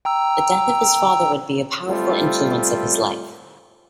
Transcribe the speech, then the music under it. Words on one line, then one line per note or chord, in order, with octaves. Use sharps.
The death of his father would be a powerful influence of his life.
G5 A#5 E6
G3 A3 C4 F4